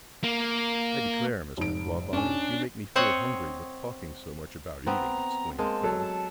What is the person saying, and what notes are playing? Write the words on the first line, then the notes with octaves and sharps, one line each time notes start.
"I declare, Mr. Clawbonny, you make me feel hungry with talking so much about eating," exclaimed Bell.
A#3
F1 G#2 D7
C#4 D4 G#5
C4 C5 C#5 D#5 F#5
B3 C4 A#5
G#3 A#3 C4 A5
F#3 A4
A5